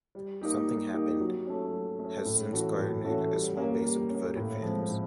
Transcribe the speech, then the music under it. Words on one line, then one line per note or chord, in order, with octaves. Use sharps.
"Something Happened" has since garnered a small base of devoted fans.
G3
A#3 D#4 G4
G3
A#3 D#4 G4
F#3
A3 C#4
F#3
A3 C#4
A2
E3 A3 C#4 F#4
A2
E3 A3 C#4 F#4
G3
A#3 C#4
G3
C#4
A#3
A2
F3 G#3 C4
A2